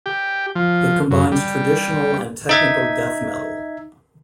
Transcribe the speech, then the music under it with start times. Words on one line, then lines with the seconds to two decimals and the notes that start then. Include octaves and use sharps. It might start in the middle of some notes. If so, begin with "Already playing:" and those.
It combines traditional and technical death metal.
0.06 G4
0.55 F3
1.11 F#2
1.32 G3
2.49 D#4 E5 G#6